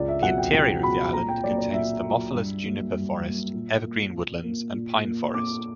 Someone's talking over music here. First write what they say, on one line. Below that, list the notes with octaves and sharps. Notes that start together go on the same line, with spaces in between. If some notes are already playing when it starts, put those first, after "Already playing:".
The interior of the island contains thermophilous juniper forest, evergreen woodlands and pine forest.
Already playing: C#2 D5
E5
B2 F#3 F#5
G5
C#2 G5
B2 F#3 B5
A#2 A#5
G5
F#3 A#3 D5
D5
A#2 E5
F#3 A#3
G2
F#3 A#3
G2
F#3 A#3
A#2
A#3
A#2
A#3
A#2
A#3
A#2 D6